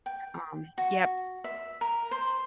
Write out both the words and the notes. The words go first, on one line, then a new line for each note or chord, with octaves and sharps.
Um, yep,
G5
F#4
E5
A#4
C5